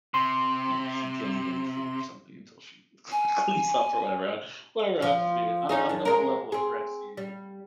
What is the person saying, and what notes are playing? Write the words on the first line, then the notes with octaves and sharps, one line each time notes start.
you know, she can't eat any food or something until she cl cleans up or whatever, uh, whatever happens to be I don't I don't know what level of threats you
C3 C6
G#5
F3
C#4 D#4 G#4
F#2 D4
G#3 A#4
C4 G#4
G3